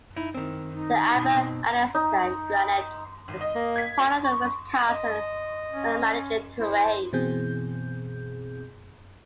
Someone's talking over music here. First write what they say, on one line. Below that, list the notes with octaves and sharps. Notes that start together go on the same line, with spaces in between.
The Amberg-Athelstane Granite is part of the Wisconsin Magmatic Terrane.
D#4 E4
D#3 C4
D#4
B2
B2 C4
D#4
G#1
D#5
A#3
G#6 B6
C#6
D#5
C#4
E4 C5
B2 E3 C4 G#4 G6